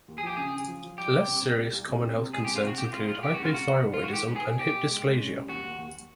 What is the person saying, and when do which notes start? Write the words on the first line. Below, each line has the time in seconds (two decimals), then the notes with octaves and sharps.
Less serious common health concerns include hypothyroidism and hip dysplasia.
0.08 D#2
0.18 G#4
0.23 F3 G4
0.37 C#3 G#4
0.53 C#3
0.68 F3
0.83 F3
0.98 G3 G4
1.13 G3
1.28 C3
1.43 C3
1.58 C2
1.73 C2
1.89 C3
2.03 C3
2.18 C3
2.33 G#3 G#4
2.45 G4
2.48 C3
2.56 F4
2.64 C3 F#4
2.78 C3 G4
2.93 G#3 F4
3.08 G#3 F4
3.23 C3 G4
3.34 C#2 F#4
3.44 F4
3.53 C3 F#4
3.69 B3
3.83 D#3
3.94 F4
3.99 G#3 F#4
4.13 D#3 G4
4.29 B3
4.36 G#4
4.43 B3
4.59 B2 G4
4.74 B2
4.88 G#3
5.04 G#3
5.19 C#4
5.34 C2
5.48 D#2 F#4
5.63 D#2
5.79 D#2